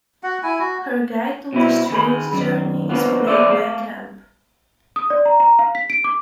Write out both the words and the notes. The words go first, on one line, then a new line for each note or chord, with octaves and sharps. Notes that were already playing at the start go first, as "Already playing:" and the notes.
Her guide on this strange journey is played by Kemp.
F#4 F#5
E4 G#5
F#4
B2 C4 E4
D#3 G#4 B5
F#2 D#3
F2 D3 E3 F3 A#3 B3
G#4 A4 C5 D5 E5
A3 F5
D#6
D5
A#5
A#5
F5
B6
D7
D6